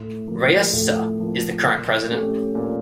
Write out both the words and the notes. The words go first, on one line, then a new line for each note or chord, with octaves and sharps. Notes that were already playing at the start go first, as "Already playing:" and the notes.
Rhea Suh is the current president.
Already playing: A2
F3 A#3
A2
F3 A#3
A#2
A3 C#4 G4 C#5
A#2